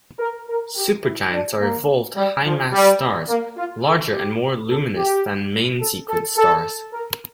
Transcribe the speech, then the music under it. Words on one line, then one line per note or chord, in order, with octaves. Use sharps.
Supergiants are evolved high-mass stars, larger and more luminous than main-sequence stars.
A#4
A#4
G4
E4
D4
A#3
G3
F3
G3
A#3
F4
A4
G4
A4
G4
A4
A4
A4
A#4